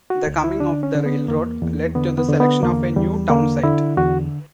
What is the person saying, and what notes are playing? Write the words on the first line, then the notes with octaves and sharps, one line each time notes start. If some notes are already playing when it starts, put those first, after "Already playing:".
The coming of the railroad led to the selection of a new town site.
F#4
D2
E4
D3 D4
C#4
D3
B3
E2 A#3
E2
D3 B3
B3
D3
B3
E2 A#3
E2 G3
D3 A#3
D3 E4
E2 F#4